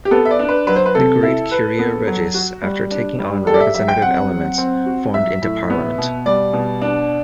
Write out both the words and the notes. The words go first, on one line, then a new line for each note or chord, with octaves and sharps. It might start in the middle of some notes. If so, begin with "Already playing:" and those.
The great "curia regis" after taking on representative elements formed into Parliament.
G4
B3 A4
E5
D5
D4
B4
F#3 B4
C5
B4
C3 A4
E4
B4
B3
F#3
F#4
G3
D4
G3
G4 A4
D5
E5
F#3 E5
G5
C4 F#5
F#3
C4
F#4
F#3 E5
A2
B3
B2
G3 D5
B2
D4